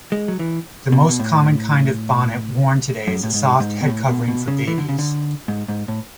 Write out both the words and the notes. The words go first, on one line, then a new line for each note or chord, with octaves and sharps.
The most common kind of bonnet worn today is a soft headcovering for babies.
G#3
F#3
E3
B2
B2
A2
F#2
A2
G#2
G#2
B2
A2
B2
B2
C#3
E3
D3
C#3
D3
G#2
G#2
A2